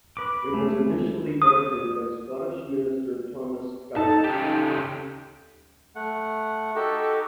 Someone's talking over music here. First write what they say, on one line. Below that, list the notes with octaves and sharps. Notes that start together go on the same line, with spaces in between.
It was initially edited by Scottish minister Thomas Guthrie.
B4 D6
G#3 A3
D#6
D#4 A4 A5
C#3 G4
A3 F#5
D#4 F#4 G4 A4